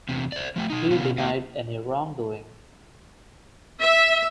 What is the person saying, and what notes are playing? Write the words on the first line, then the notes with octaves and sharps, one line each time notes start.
He denied any wrongdoing.
E2 C3
C5 D5
F3 A3 G5
B2 D#4
B2 B3 C#4 F4
A#3 D#5 F5
E5